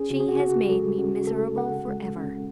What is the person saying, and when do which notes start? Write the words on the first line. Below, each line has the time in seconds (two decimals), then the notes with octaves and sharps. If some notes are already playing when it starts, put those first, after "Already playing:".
She has made me miserable forever!
Already playing: C#4 G#4
0.10 C#3 F#4
0.20 G#4
0.29 F#4
0.40 C#2 F#4
0.69 G#3 A4
0.98 C#4 F#4
1.27 C#3 A4
1.57 C#2 F#5
1.87 G#3
2.17 C#4